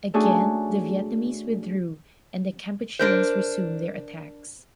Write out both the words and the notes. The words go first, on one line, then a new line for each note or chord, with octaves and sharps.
Again the Vietnamese withdrew and the Kampucheans resumed their attacks.
A3 C#4 D4 F#4 G#4
D4 A#4 C5